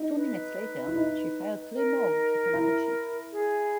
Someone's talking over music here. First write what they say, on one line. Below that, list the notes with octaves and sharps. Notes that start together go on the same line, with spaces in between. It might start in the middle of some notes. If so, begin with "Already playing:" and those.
Two minutes later, she fired three more at another ship.
Already playing: D#4
B4
E4
D#4
A#4
E4
G#4